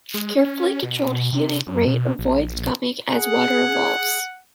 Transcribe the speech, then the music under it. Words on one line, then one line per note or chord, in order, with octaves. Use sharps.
Carefully controlled heating rate avoids gumming as water evolves.
G#3
C#4
B2
C3
F#2
B2
A#1
G#4 F#5